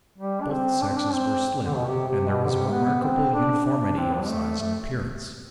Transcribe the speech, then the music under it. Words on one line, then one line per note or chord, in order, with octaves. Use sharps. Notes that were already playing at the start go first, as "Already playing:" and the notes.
Both sexes were slim, and there was a remarkable uniformity of size and appearance.
G3
D4
C4
D4
C4
D4
C4
D3
B2
C3
C3
B2
D3
C3
B3
C4
D4
D4
C4
F3
G3
A3
A3